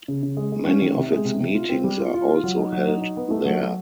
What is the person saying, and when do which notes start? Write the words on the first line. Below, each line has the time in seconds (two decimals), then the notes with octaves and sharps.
Many of its meetings are also held there.
0.08 C#3
0.23 C#3
0.37 G#3
0.52 G#3
0.67 C#4
0.81 D#3
0.96 C3
1.11 G#3
1.25 C3
1.40 C3
1.55 F4
1.69 C4
1.84 G3
1.99 F4
2.14 F4
2.29 F4
2.43 F#3
2.58 D#4
2.72 F#3
2.87 D#4
3.02 D#4
3.17 B3
3.31 A3
3.45 F#3
3.61 F#3